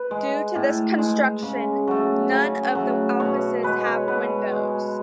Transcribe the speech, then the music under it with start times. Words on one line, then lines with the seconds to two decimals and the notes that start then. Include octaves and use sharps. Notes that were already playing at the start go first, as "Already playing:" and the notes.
Due to this construction, none of the offices have windows.
Already playing: B4
0.11 G#3
0.55 A2
0.98 G#3
1.43 C#3
1.87 F#3 A3
2.31 C#3
2.75 F#3 A3
3.20 B2 C#5
3.63 G#3 B4
3.86 C#5
4.08 B2 B4
4.52 G#3